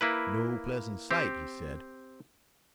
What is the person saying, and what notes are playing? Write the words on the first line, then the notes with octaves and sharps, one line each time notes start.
"No pleasant sight," he said.
A#3 E4 B4
C4 G4